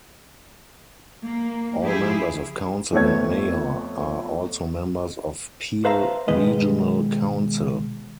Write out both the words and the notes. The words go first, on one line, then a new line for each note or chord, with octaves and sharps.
All members of council and mayor are also members of Peel Regional Council.
A#3
F3 E4 G4 G#4
F2 A3 B3 C#5 G#6
B4 C5 E5 F5 A5 A#5
B2 D#3 G#3 B4 D#5